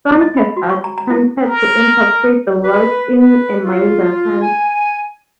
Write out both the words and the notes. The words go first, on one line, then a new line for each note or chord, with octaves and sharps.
Some have attempted to interpret the words in a milder sense.
D#5
B5
F#4
C#6
A#5
A#5
E4
A#4
B4
B4
F4
G#5